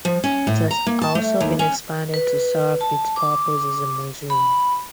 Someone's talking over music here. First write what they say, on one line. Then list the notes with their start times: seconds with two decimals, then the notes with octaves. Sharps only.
It has also been expanded to serve its purpose as a museum.
0.05 F3
0.24 C#4
0.47 A2
0.71 A#5
0.87 A#3
1.01 A5
1.15 A3
1.41 D#2
1.59 C#4
2.14 B4
2.81 A5
3.16 D6
4.30 B5